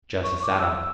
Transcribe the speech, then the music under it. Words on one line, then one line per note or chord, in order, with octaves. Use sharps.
Jesse sat up.
C#6
D6
E6